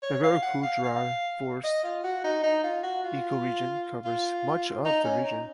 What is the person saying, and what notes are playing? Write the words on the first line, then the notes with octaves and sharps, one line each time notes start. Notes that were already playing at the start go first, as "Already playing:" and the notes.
The Veracruz dry forests ecoregion covers much of the region.
C#5
F5
F#5
F5
F5
D#5
F4
F#4
D#4
D#4
F4
F#4
F4
F4
D#4
C#4
D#4